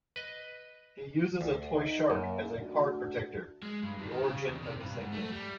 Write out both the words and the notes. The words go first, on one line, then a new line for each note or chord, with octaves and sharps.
He uses a toy shark as a card protector, the origin of his nickname.
B4 D#5
D2
D#4
F#2 A#3
D2 D4 F#4
G#3
G2
D2
D#3
C#3
E2
C3
G2
G#2
A3
G3